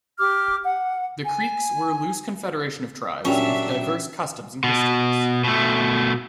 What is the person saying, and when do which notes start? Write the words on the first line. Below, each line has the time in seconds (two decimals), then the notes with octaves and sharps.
The Creeks were a loose confederation of tribes with diverse customs and histories.
0.18 G4 D6 F6
0.65 F#5
1.23 G#5
3.25 A#2 F#3 G3 C#4 D4 E5
4.64 B2
5.44 B2 A3